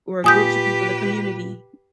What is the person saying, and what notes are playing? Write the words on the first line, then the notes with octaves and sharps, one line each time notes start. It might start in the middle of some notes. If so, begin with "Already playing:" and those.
where groups of people the community,
A#2 F4 G4 B4 G#5 D#6 G6